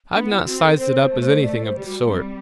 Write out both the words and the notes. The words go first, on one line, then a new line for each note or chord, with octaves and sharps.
I've not sized it up as anything of the sort.
B3 D4
E4
C4 F#4
A4
C4 C5
C5
A3
C5
A3 D5
C5
G3 G4
F#4
G3 C4